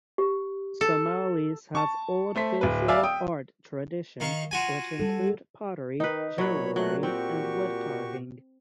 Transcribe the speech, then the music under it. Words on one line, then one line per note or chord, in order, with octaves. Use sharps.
Somalis have old visual art traditions, which include pottery, jewelry and wood carving.
G4
A4
A5 C#6
A3 C5 B6
D1 B4
D5 E5 F5 G#5 D6 E6
G5 D#6
D#3 F5 C#6
F4 F#4 G#5
G3 A4
D#3 D#4 B4
A#2 F#3 B4 C#5 B5
F#3 A3 F#4 F#6
C4 F#4 G4 C#6